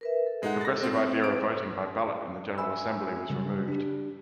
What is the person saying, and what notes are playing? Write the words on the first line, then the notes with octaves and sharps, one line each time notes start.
The progressive idea of voting by ballot in the General Assembly was removed.
A#4 B4 E5
A4
G#3 D#4 F#5
A6 A#6
C4
B4 D7
E5 G#5 B5 E6
C#3 G3
D4 G4